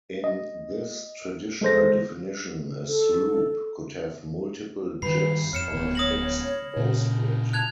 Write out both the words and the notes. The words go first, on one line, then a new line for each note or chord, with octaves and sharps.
In this traditional definition a sloop could have multiple jibs on a fixed bowsprit.
D#5
G#3 A4 C5 A#6
A4
G2 D#3 B4 B5 C7
F2 C#5 F6 C#7 E7
D1 B3
D#6 A#6 F#7
A#2 C#3
A5 F#6 G#6 F7